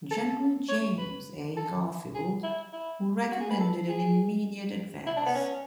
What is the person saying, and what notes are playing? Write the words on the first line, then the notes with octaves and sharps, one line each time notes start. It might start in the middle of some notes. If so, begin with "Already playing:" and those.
General James A. Garfield, who recommended an immediate advance.
A4
C#5
B4
A4
G#4
E4
E4
F#4
G#4
B4
A4
G#4
E4
D4
B3
C#4